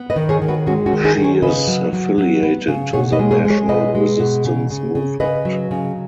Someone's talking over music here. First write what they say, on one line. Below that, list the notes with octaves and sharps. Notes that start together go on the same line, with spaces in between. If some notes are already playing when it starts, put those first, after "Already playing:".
She is affiliated to the National Resistance Movement.
Already playing: B3
B4 D#5
D#3
G#4 C#5
D#3
F#4 B4
G#3 C#4 F#4
C#4 F#4
D#3
D#4 G#4
D#3
G#4 C#5
C#3 B4 D#5
F#3
F#3
F#3
B3
C#3
B2 G#4 C#5
B4 D#5
G#3
G#4 C#5
G#3
G#4 C#5
B2 B4 D#5
G#3
B2
C#3
C#3
C#3
C#3 B4 D#5
F#3
C#3